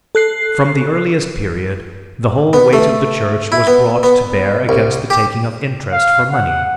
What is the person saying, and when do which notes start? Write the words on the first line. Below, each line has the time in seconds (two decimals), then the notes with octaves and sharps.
From the earliest period the whole weight of the Church was brought to bear against the taking of interest for money.
0.15 A4 F#6 C7
2.53 B3
2.73 A3
3.52 E4
3.67 B3
4.03 B3
4.69 C2
5.10 G4
5.92 F5
6.31 F#5